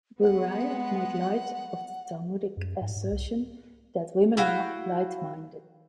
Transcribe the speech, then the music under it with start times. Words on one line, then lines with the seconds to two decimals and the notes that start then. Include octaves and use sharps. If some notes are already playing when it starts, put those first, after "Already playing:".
Bruriah made light of the Talmudic assertion that women are "light-minded".
0.22 G#3 B3 F#5
2.57 F#2
2.81 G#2
2.96 G#2
3.11 C2
4.37 E4 F#4 F5 G5